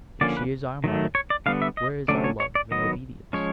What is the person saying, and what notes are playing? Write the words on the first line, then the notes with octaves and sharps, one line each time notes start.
If she is our Mother, where is our love and obedience?
D3 F3 A#3 C#4 D5
B4
D#3 F#3 A3
C#5
D5
D3 G3 B3 F5
E5
D#5
D3 F#3 A3 C#4 D5
C#5
C#5
D5
D#3 F#3 B3 D#5
F3 G#3 C#4 C#5